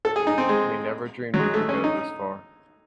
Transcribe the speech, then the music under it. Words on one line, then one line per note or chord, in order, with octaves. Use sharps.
We never dreamed it would go this far.
A4
G#4
D#4
C4
G#3
F#3
G#3
A3
C#4
D#4